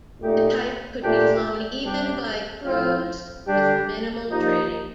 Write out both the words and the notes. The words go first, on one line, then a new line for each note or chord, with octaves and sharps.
The type could be flown even by crews with minimal training.
A#2 A3 D#4 G4
A#2 A3 D4 G4
C3 G3 D4 G4
A2 F3 C4 F4
D3 G3 D4 G4
F3 A#3 D#4 G4